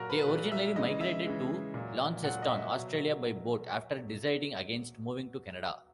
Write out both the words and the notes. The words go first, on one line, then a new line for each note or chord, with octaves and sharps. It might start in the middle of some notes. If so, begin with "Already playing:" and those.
They originally migrated to Launceston, Australia by boat, after deciding against moving to Canada.
Already playing: A#2 F#3 F#4 A#4
B4
A#2 F#3
E5
C#3 E3 G#3 D#5
E5
C#3 E3 G#3
A#2 F#3
A#2 F#3 F#5
D#5
E5
B2 F#3